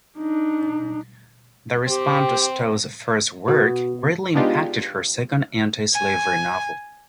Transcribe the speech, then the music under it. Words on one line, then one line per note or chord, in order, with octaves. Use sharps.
The response to Stowe's first work greatly impacted her second anti-slavery novel.
D4 D#4
C4 G4
B2 F#4
G#3 B3 D4 D#4 F4 G4
G#5